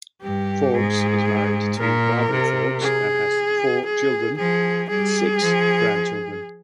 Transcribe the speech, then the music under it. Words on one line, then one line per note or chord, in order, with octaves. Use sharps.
Forbes is married to Barbara Forbes and has four children and six grandchildren.
G2 G4
G#2 G#4
A#2 A#4
C3
G#4
G#4
F3 G#4
G3 G#4
F3